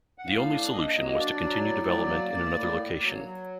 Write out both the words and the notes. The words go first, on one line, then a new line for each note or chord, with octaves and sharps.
The only solution was to continue development in another location.
F#5
A2 F5
D4
A#3 D#5
F#3
D#5
D4 D5
F#3
A2
F#3
A#3
A#3
A2
A#3
F#3
F#3